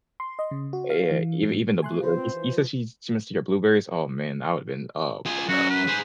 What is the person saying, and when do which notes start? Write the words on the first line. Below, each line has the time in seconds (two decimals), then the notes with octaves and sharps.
Uh, yeah, ev even the blue like, you you said she's she messed with your blueberries? Oh, man. I would've been oh my god.
0.20 C6
0.39 D#5
0.51 C#3
0.73 F#4
0.90 F5
1.11 E3
1.43 G#2
1.82 A3 G#5 C6 F#6
2.00 C#3 F4 B4 C5
2.16 C4
2.34 E3
2.56 F3
5.26 F4 G#4
5.49 F#2 F#4
5.70 B4
5.88 G#4 C5